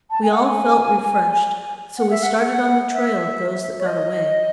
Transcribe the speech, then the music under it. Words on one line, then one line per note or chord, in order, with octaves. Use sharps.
We all felt refreshed; so we started on the trail of those that got away.
A5
G#5
F#5
G#5
F#5
E5
F#5
F#5
E5
C#5
D#5